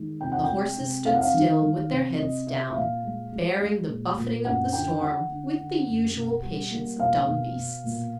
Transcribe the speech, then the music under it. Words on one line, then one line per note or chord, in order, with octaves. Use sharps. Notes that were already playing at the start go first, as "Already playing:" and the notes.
The horses stood still with their heads down, bearing the buffeting of the storm with the usual patience of dumb beasts.
Already playing: D#3 G#3
C3 G5
F#5
G5
G#3
C3
C3 F5
F#5
F5
D#3
D#3
C3
C3 D#5
C3 E5
E5
A#2 F5
G#3
G#3
G#3
A#2
A#2
F#2 F#5
D3 G5
D3 F#5
D3
D3
F#2
B2
G3
A#3
B2 F5
B2
B2
A#2